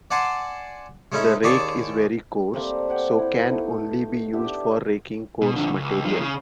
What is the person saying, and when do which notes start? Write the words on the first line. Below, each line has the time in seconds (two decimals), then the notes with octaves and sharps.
The rake is very coarse, so can only be used for raking coarse material.
0.11 D5 F#5 G#5 A5 C6
1.12 G#3 A3 C#4 D#4 E4
1.43 D#2 G#4 C#5 D5 G5 A5
2.53 G3 A3 A#3 C4
2.88 G4 C5 F#5 G5
3.18 E4 G5
3.47 A3 B3 D#4
4.33 B3 D4 G4 E5
5.42 B2
5.56 D3 F3
5.73 C#2
6.05 F3 G#3
6.19 C#3